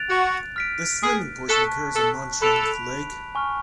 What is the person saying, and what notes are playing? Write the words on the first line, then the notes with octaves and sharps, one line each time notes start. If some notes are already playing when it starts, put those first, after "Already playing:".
The swimming portion occurs in Mauch Chunk Lake.
Already playing: F#6 A6 D7 F7
F#4
F6 B6 D7
G#4
A4 A5 C#6 F#6 B6
A4
A4 B5 F#6 B6 D7 F7
G#5 C#6 F6